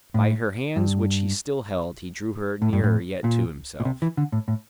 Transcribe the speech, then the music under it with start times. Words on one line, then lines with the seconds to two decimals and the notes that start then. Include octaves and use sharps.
By her hands which he still held he drew her nearer yet to himself.
0.14 A2
0.76 G2
2.62 A2
2.73 G2
2.84 A2
3.24 A#2
3.80 A#2
3.85 C3
4.02 E3
4.17 D3
4.32 A2
4.48 A2